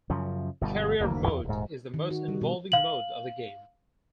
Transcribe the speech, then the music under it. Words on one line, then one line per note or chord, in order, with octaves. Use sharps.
Career Mode is the most involving mode of the game.
F#2 C#3 F3
G1 B2 G3
F#1 D2 D3 A#3
E2
D#1 G#2
D#3
F#4
G3
B2
F5 F#7